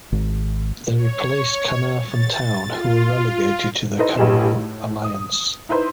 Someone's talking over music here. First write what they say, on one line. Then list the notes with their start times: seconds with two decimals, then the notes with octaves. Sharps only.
They replaced Caernarfon Town who were relegated to the Cymru Alliance.
0.12 G#1
0.96 C#5
2.01 A6
2.67 F4
3.98 D#4 E4 A4 B4 C5 D#5
4.17 B1 G2 G4 G#4 B4 E7
4.56 A2
5.04 D#6
5.69 D#4 E4 B4 C5